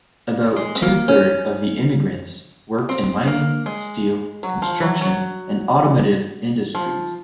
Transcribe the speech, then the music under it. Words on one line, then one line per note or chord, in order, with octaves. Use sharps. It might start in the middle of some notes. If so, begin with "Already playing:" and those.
About two-third of the immigrants worked in mining, steel, construction, and automotive industries.
G#3
C4
A#3
C#4
C4
A#3
G#3
F#3
F3
F#3
F#3
F3